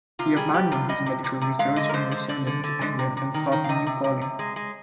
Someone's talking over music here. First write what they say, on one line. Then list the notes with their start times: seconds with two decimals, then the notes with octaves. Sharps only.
He abandoned his medical research on returning to England, and sought a new calling.
0.19 C3 F4
0.36 G3 G#4
0.54 G3 G4
0.72 C3 F4
0.89 G3 D#5
1.06 C3
1.24 C3
1.41 C3
1.59 G#3 F5
1.76 D3 D#5
1.89 A#4
1.94 G#3 C5
2.11 D3 C5
2.29 D3 D5
2.47 D3
2.64 D3
2.81 G#3
2.99 C3
3.17 C3
3.34 D#3
3.52 D#3
3.64 F5
3.69 C3 D#5
3.87 C3
4.04 C3
4.21 C3
4.39 G#3
4.56 G#3